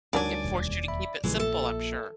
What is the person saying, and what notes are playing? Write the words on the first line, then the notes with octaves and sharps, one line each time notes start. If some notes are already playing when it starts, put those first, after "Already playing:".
It forced you to keep it simple, I'm sure.
D2 D#3 F#3 G3 D4 D5 G#5
E1 D#2
E5 B5
A#1 A#2 C#3 E3 G3 G#3
A4 E5